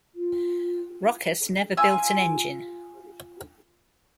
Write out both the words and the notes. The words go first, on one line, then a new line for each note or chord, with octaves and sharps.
Rochas never built an engine.
F4
F4 G#5 E6